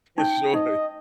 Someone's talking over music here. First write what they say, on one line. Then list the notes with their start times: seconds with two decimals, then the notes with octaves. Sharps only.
For sure.
0.18 D#4 G5
0.54 D#4 D#5